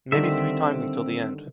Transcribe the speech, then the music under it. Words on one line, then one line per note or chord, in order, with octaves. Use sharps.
Maybe three times until the end.
D3 D#3 G3 C4 E5